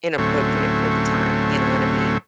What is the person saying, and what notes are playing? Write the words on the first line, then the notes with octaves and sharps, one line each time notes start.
inappropriate for the time. You know what I mean?
D2 A2 F#3 A3 C4 C#4